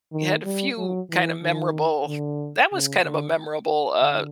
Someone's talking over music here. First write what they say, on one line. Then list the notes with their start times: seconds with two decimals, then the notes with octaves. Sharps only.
had a few kinda memorable that was kind of a memorable, uh,
0.13 D#3
0.45 G3
0.78 F#3
1.10 E3
1.43 D#3
2.07 D3
2.73 C#3
3.05 D3
4.01 D3